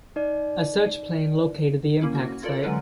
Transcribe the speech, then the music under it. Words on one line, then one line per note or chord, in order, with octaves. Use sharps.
A search plane located the impact site.
D#4 D5
A#3 C#4 E4
F#4
E4 F4 A4 A#4 D5
D3 E3 F#3 G#3 C#4 B4